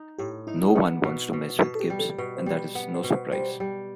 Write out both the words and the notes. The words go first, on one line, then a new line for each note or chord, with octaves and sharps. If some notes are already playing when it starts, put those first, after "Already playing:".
No one wants to mess with Gibbs, and that is no surprise.
Already playing: D#4
A2 G4
D#4 E4
B3
B2
B2
B2 F#4
A4
G4
G3
A4
B2 B4
C5
G3
B4
B3
C5
B2
C5
G3 C5
G3